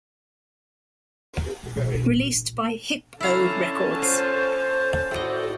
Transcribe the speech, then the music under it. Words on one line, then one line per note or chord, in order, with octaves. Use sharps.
Released by Hip-O Records.
B2
B2
D4
A#2
D3 C#4 E4 F5 A5 A#5
F4 C5
A2 F#4 A4 D5 D#5